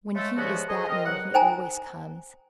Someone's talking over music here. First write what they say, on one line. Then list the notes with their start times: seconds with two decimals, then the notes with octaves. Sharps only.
When he is that near he always comes.
0.15 C#3 G#3 A3
0.36 G2 C#3 F3 G#3 B3 F#4
0.68 G#4 A4 C5 C#5 D#5
0.88 C4 A#4 D#5
1.05 C2 E3 F#3 F#5
1.34 C5 G5 G#5 A#5